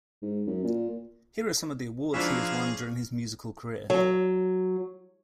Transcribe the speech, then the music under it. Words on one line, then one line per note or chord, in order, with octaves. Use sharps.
Here are some of the awards he has won during his musical career.
G#2
F#2
A#2
F3 A#3 C#4 D4 G#4 B4 E5 F5
F#3